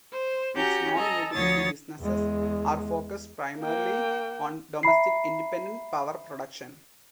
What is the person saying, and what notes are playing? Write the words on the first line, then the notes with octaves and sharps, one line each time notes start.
Its non-utility businesses are focused primarily on domestic independent power production.
C5
C#4 F#4 G4 A#5 G6
A4 D#5 G#5 A#5
D2 F3 C#5 D#6 A6
E2 G#3
A#3 G5
E5 A#5 B5 C7